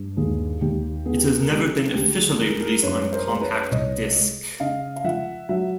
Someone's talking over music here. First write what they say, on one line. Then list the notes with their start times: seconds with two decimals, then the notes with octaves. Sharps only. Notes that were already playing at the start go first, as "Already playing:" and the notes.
It has never been officially released on compact disc.
Already playing: G2
0.17 D#2 G#4
0.61 D#2 G4
1.06 B3 G#4
1.17 G4
1.29 G#4
1.41 A#4
1.50 G#3 G4 A4
1.94 D2 G4
2.16 G#4
2.39 F3 G#4 A#4
2.61 G#4 A#4
2.83 F#2 B4 C#5
3.13 A#4 C5
3.28 G#3
3.41 B4 C#5
3.71 C2 C#5 D#5
4.16 G#3
4.60 C#3 D#5 F5
4.96 F5
5.04 F3 E5 F#5
5.49 F#3 E5 F#5